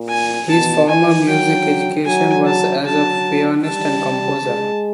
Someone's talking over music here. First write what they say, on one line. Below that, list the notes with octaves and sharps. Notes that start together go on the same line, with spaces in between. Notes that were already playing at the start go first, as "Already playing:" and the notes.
His formal music education was as a pianist and composer.
Already playing: A#2
G#5
B2 A5
E3 G#5
F#3 G5
F#3 G#5
A5
F#3 A5
G3 A5
G#3